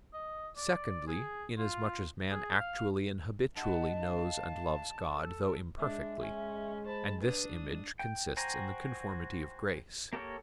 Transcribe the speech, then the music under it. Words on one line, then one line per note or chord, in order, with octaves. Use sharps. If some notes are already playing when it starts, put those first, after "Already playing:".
Secondly, inasmuch as man actually and habitually knows and loves God, though imperfectly; and this image consists in the conformity of grace.
D#5
D5
G#4
F4
G#4
F5
G2 D#5 F#5 A5
F5
A4
G#3 D4 E5
C#4
C5 A5 B5
D4 B4 D#6
G#3
G5
F#4 C5 G5 G#5 A#5
A#3 G4 A4 A#4 C#5